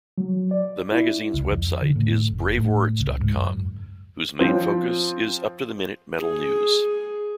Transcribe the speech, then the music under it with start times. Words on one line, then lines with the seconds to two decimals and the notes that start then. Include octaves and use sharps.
The magazine's website is BraveWords.com, whose main focus is up-to-the-minute metal news.
0.18 F#3
0.51 D5
0.92 E4
1.34 C#2
1.52 F2
1.82 D3
1.96 A2
2.30 F1
2.57 A2
3.00 C#2
3.20 G#2
3.36 F#2
4.39 F3 C4
6.18 G#4